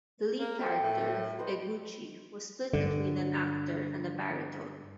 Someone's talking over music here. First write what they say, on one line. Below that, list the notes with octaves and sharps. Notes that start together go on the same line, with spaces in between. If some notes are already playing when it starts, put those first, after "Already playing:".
The lead character of Eguchi was split between an actor and a baritone.
A#3
C4 A4 D#5 G5
A2
B4 C5 D#5
G2 D3